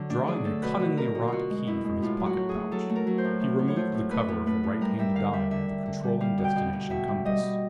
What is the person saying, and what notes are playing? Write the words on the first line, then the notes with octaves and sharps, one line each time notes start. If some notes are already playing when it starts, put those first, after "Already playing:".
Drawing a cunningly wrought key from his pocket-pouch, he removed the cover of the right-hand dial of the controlling destination compass.
Already playing: D3 F#3
A3 D4
F#3 G#4
A3 A4
B2 B4
B2
B2 A#4
B2
B2 F4 F#4
G#3
B2 E4
G#3
A2 F4
F#3
F#4
F#3
G#4
A3
F#3 A4
A3
A#4
F#3
C5
A2
A2
A2
C#5
A3 C5
A2
A3 B4
A2
A3 B4
A2
G3 A#4
G3 E5
D3 F5
G3 E5
D3 E5
D3
D3
G3
G3 F5
B2
G5
B2
B2
B2 E5
G3
G3 D#5
G3